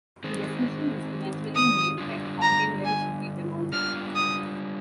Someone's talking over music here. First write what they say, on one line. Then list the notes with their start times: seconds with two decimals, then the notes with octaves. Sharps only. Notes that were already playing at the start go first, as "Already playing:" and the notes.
The decision was eventually made that Fountainwell should be demolished.
0.24 D#3 G#3 C4
1.55 D#6
1.98 D3 G3 D4 F4
2.42 A#5
2.85 G#5
3.72 G3 D4 F4 F6
4.16 D#6